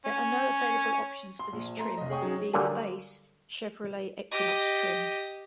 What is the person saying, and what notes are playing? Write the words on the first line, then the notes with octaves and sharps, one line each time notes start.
There are no available options for this trim, being the "base" Chevrolet Equinox trim.
C#4
C6
A#1
A3 A#5 C6
F1 D#5
G#4 C#5 G5 C#6 D#6
F#3 C#4 D#4 G#4
D3 F#3 G3 A#3 G#4
G4 D#5